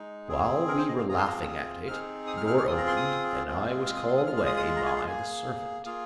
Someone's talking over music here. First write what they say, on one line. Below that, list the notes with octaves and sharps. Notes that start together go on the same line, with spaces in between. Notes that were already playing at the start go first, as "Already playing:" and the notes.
While we were laughing at it, the door opened and I was called away by the servant.
Already playing: G#3 D#4
C4 G#4
A#4
C5
D#5
F5
C4 F4 G#4 A#5
C6
A#5
D#6
C4 D#4 G#4 F6
D#6
F6
F6
F6
C4 F4 G#4 D#6
A#5
C6
D#6
G#3 C4 F4 G#4
F6
D#6
C6
D#6
G#3 F4 G#4 F6
F6
D#6
D#6
A#5
G#5
F5
A#3 G#4 G#5
A#3 F4 G#4 F5